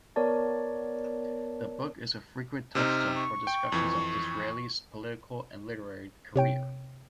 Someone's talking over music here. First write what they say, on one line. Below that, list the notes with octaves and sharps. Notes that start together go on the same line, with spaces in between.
The book is a frequent touchstone for discussions of Disraeli's political and literary career.
B3 A#4 C#5 D5 A5
C3 C4 D#4 F6
C#6
G5
F2 E3
C3 C#5 G5 D7